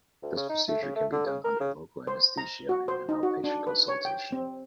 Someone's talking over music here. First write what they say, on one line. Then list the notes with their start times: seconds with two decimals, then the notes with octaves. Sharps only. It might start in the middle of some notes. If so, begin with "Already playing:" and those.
This procedure can be done under local anesthesia in an outpatient consultation.
0.22 D2
0.37 C#3
0.49 D#4
0.68 A3
0.82 C#3
0.96 A3
1.12 D3
1.26 C#3
1.45 A#4
1.60 C#3
2.07 C5
2.38 A#5
2.69 F#4
2.88 C5
3.09 D#4
3.23 F#4
3.44 D4
3.67 B4
3.88 C#5
4.05 G5
4.32 C4